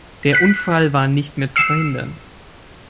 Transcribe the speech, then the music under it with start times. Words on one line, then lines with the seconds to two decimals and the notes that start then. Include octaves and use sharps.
Der Unfall war nicht mehr zu verhindern.
0.33 F#6 B6
1.56 E6 C7 E7